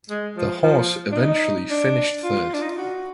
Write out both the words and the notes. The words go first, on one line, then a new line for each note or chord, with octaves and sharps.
The horse eventually finished third.
G#3
F3
F3
D4
D#4
D4
F4
D4
D#4
F4
F#4